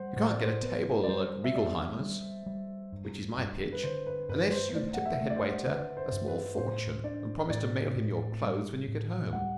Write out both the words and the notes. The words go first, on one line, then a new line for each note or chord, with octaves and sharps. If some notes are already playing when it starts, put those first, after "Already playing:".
You can't get a table at Reigelheimer's, which is my pitch, unless you tip the head waiter a small fortune and promise to mail him your clothes when you get home.
Already playing: G3 C5 F#5
A2 C5
D5
C5
B3 B4
D5
G3 C5
E5
B3 D5
G3
G3
G2
G2
B4
D3 C5
B4
G2 B4
C5
C5
A3 D5
F#5
E5
A3
D5
C5
D3 B4
C5
G2
B4
A2 C5
D4 D5
A2 D5
A2
G3
A2
G3 F#5